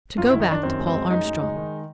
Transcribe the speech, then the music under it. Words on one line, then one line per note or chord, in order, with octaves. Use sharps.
To go back to Paul Armstrong.
F#2 F4
E4
D#3
D#4
D#3 D4
F#2 C4
G#3
C4
G#3
F#2 D#4
G#3
G#3
D#3